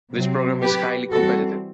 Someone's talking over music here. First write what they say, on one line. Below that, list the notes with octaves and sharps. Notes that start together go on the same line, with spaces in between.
This program is highly competitive.
C3 F#3 C4
G4 B4
E3 G3 C4 F#4 A4